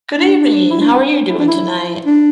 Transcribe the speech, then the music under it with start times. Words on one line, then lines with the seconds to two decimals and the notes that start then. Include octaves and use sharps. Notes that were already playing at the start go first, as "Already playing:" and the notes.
Good evening, how are you doing tonight?
0.16 D4
0.71 E4
0.80 D4
0.91 C4
1.10 D4
1.29 E4
1.38 D4
1.48 E4
2.05 D4